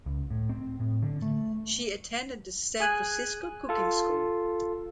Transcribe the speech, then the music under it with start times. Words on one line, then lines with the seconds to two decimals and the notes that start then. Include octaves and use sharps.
She attended the San Francisco Cooking School.
0.06 C#2
0.31 A2
0.49 C4
0.80 A2
1.02 D3
1.22 A3
2.80 G#4 G#5 F#6
3.69 F4 A4